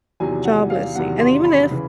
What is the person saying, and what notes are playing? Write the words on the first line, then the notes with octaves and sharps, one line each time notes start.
job listing. And even if
E2 C3 D#3 F#3 G#5
F#5
F5
E2 C3 D#3 F#3 F#5
C6
B5
C#3 E3